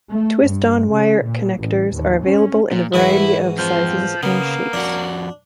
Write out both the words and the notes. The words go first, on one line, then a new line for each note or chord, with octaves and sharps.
Twist-on wire connectors are available in a variety of sizes and shapes.
A3
G2
C#3
A#2
A1
D#2
C#4
A#2
G#2 E3 E4 F#4
F2 F3 C5
C#3 A#3 B3
F2 D4 F#4